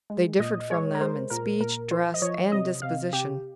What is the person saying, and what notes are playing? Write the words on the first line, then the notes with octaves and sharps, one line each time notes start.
They differed from them in speech, dress, and disposition.
G#3
A#2 D#5
G#3 C#5
A#4
G#3 C5
A#2 A#4
A#2 A#4
F3 C5
D#5
F3 C#5
C3 D#5
C3 F5
C3 G4